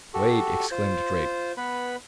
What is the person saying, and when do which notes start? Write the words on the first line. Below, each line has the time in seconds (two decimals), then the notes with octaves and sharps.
"Wait!" exclaimed Drake.
0.14 F#4 G4 A4
0.71 F4 C5
1.57 B3 B4 B5